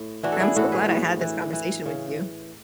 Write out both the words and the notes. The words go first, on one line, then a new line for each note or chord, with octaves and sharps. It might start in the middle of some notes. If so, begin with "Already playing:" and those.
I'm so glad I had this conversation with you.
Already playing: A2
E3 D4 F#4
A4
E4 G#4
A2 F#4 A4
G#4 B4
A2
E3
E3
C#3